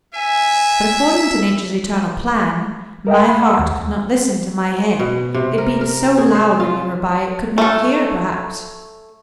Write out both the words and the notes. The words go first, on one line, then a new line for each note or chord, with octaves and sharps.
But according to Nature's eternal plan, my heart could not listen to my head--it beat so loud when you were by, it could not hear, perhaps.
E5 G#5
A#4 D#5 E5 G5
B5
F#5 E6
D#2
B2
C3
A#4
A#4
G#4
C5
F4
A3 C#4 A4